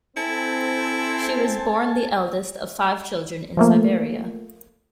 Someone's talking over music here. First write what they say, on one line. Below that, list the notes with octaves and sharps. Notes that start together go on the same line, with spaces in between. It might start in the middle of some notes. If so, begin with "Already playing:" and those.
She was born the eldest of five children in Siberia.
C4 E4 A4 G#5 A5
F3 A3 A#3